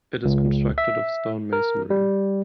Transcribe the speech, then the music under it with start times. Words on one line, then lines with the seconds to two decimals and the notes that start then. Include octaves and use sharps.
It is constructed of stone masonry.
0.25 C#2
0.78 E5
1.53 A#4
1.90 G3